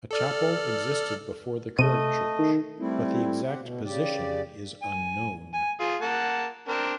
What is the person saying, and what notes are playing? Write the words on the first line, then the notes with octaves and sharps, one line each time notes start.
A chapel existed before the current church but the exact position is unknown.
A4 D5 F6
C3 A3 D#5 D#7
D#3
G3 A3 C4 E4
C4 G4 F#5
B2
C#3 G4 D5
G#5
G#5
F4 G#4
A#3 F#5 A5
C4 D4 A#4